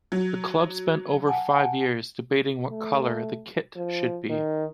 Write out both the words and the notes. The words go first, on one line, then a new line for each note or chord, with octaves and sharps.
The club spent over five years debating what colour the kit should be.
F#3
F#5 G#5 A5
A3
F3
D#3